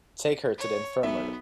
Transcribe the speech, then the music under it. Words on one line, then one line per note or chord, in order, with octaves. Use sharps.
Take her to the infirmary.
C#5
B1 B3 E5